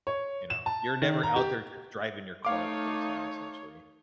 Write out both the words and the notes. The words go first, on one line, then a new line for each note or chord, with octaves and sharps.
you know, you're never out there just driving your car the whole time, essentially.
C#5
E7
A5
D#3
A#5
G4
A3 D#4 C#5 F5 D6